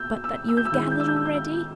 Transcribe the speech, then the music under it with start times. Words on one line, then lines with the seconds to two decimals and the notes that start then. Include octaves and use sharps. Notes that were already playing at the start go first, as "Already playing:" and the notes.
But that you have gathered already?
Already playing: A#2 E6 G6
0.24 E6
0.49 E6
0.57 G6
0.65 E6
0.71 D#3 G#3 C#4 E4 G6
0.83 E6
0.91 G6
1.00 E6
1.08 G6
1.16 E6
1.26 G6
1.34 E6